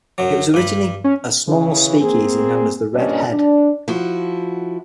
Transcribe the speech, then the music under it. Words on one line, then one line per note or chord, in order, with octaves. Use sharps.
It was originally a small speakeasy known as the Red Head.
F#2 F#3
G2 B5
C#4
C#3 E3
A#3 C4 G#4
G2 A#2 C#4 D4 D#5
D4
F3 E4 F#4